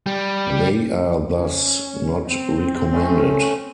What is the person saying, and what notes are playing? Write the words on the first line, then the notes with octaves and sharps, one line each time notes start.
They are thus not recommended.
G3
C#4
C4
A3 C#4